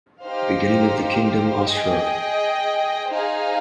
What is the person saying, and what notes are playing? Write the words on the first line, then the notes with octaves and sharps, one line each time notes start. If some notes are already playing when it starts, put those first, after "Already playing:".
Beginning of the kingdom Osroene.
D#4 G4 C5 F5
G#4 D#5 G5
D#4 G#4 C5 F5